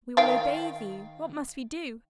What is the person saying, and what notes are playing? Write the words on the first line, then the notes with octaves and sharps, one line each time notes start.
We will obey thee, what must we do?
D#3 F5 G5